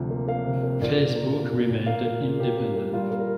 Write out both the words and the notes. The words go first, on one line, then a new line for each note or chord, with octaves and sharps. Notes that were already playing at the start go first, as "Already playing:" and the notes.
Facebook remained independent.
Already playing: D2 C3 F3
A#3
A#3 F5
C3
A#3
A#2 D5
A#2
A#3
A#3
A#2
A#2
A#3 F5
A#3
A#2
A#3 G4
A#3
A#3
G3 F4
A#3
A#4